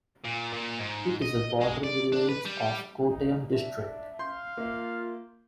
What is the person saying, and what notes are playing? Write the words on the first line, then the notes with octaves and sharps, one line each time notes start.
It is a border village of Kottayam district.
A#2
A#2
G#2
D#5
G#3
D5
D4
B4
G3
D#4
D4 E5
F5 C6 G6
A#3 F4 E5